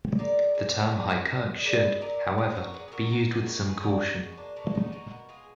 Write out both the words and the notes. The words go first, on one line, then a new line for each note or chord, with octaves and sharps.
The term High Kirk should, however, be used with some caution.
G#3 A#4 D5
G#3
A#2
A#2
D#5
G#3 A#4 D5
B4 D#5
A#2 A#4 D5
A#2
F#4 A#4
A#2 G#4 B4
G#4
F#4 A#4
B2 F#4 A#4
G#4 B4
B2 F#4 A#4
G#4 B4
B2 A#4 D5
D#4 F#4
G#3
B3
A#3 D4
B2 A#3 D4
B3 D#4
B2 D#4 F#4
F#4 A#4
G#3 F4 G#4